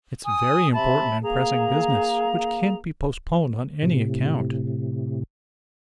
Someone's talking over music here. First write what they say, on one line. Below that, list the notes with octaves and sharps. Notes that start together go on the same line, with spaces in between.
'It's very important and pressing business, which can't be postponed on any account.
G#5 D#6
C3 E5 A5 B5
A#3 G#4 A#5
A2 C3